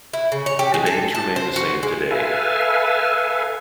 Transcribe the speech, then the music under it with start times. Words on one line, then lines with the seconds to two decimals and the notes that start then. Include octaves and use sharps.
The names remain the same today.
0.13 E4
0.32 C#3
0.46 C#5
0.59 G4
0.74 G#3
0.86 A4
1.15 A5
1.36 C5
1.56 F#4
1.83 G#3
2.11 A4 B4 E5 F5 G#5